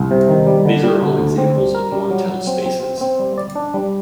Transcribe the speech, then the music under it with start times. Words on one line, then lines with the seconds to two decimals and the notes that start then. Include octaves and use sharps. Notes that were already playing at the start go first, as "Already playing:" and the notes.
These are all examples of Montel spaces.
Already playing: C2
0.11 C3
0.29 D#3
0.47 G3
0.65 D3
0.84 G3
1.02 D3
1.20 D2
1.38 C4
1.57 G3
1.75 A#4
1.92 G3
2.11 F#3
2.29 F#3
2.47 C4
2.65 C4
2.83 C4
3.01 C4
3.19 G3
3.38 D5
3.56 D4
3.74 G3